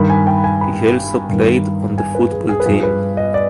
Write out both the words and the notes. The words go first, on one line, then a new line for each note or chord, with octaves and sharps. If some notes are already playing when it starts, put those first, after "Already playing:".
He also played on the football team.
Already playing: G2 D#3 B5
G#5
G5
G#5
B5
G2 D#3
G#5
B4
G#4
G#4
B4
G2 F3 G#4
B4
D#5
D5